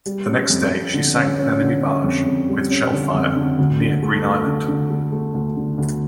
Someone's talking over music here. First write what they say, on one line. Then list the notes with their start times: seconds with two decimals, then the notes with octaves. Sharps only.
The next day, she sank an enemy barge with shellfire near Green Island.
0.06 G3
0.28 C#4
0.50 F2
0.72 F2
0.94 D3
1.16 C#4
1.38 C#4
1.61 D3
1.82 C#4
2.04 F2
2.26 F2
2.49 G3
2.70 C#4
2.92 D3
3.14 F2
3.36 D3
3.58 D2
3.80 D3
4.03 A3
4.25 A3
4.47 D3
4.68 D3
4.90 A3
5.12 A3
5.34 D2
5.56 D3
5.78 D2